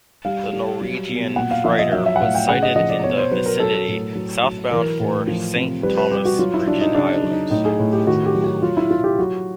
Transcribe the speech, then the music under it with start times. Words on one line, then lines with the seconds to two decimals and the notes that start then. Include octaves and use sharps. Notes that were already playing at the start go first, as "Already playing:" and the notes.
The Norwegian freighter was sighted in the vicinity, southbound for Saint Thomas, Virgin Islands.
0.25 G3 F5
0.53 G3
0.81 F#3
1.09 B2
1.36 A#2 F#5
1.51 F5
1.64 F3 E5
1.79 D#5
1.92 F#3 E5
2.06 E5
2.16 F#5
2.21 A2 F5
2.35 G5
2.48 C#3 F#5
2.63 D#5
2.76 F3 D#5
2.90 D5
3.04 B2 C#5
3.18 C5
3.32 F#3 B4
3.46 A#4
3.60 F#3 A4
3.88 A2
4.15 F#3
4.44 F#3
4.71 E3 A#4
5.00 A2
5.28 F3
5.55 C3
5.83 G3 B4
5.97 B4
6.11 G3 G4
6.25 F#4
6.39 F#3 F4
6.54 E4
6.67 F#3 D4
6.81 D#4
6.94 C#3 D4
7.13 D#4
7.23 F#3
7.32 D#4
7.50 A2 D#4
7.65 G#4
7.79 A2
7.93 G4
8.06 D#3 F#4
8.26 G4
8.35 F#3
8.44 F#4
8.62 F#3 F4
8.77 E4
8.91 F#3 F4
9.04 G4
9.19 F#3 F#4